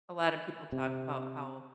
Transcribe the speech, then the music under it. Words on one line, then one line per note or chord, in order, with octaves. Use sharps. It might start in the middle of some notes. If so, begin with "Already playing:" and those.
a lot of people talk about how
C3